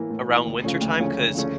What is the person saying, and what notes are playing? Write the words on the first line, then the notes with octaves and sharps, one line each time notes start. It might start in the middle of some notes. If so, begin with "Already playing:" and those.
around wintertime, 'cause
Already playing: A2 E3 A#3
A2
E3 A#3
D2
C#3 F3 A3 C#4
D2
C#3 F3 A3 C#4
D2
C#3 F3 A3 C#4